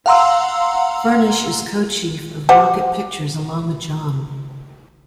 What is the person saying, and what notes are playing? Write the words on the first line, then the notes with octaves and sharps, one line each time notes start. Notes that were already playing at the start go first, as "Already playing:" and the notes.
Furnish is co-chief of Rocket Pictures along with John.
F5 F#5 A#5 C6 E6
G4 C5 F#5